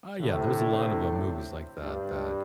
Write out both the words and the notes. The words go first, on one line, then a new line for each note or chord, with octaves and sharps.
Ah, yeah. There's a lot of, uh, movies like that that
A2 D3
C3
D3
D4
C4
G2 D4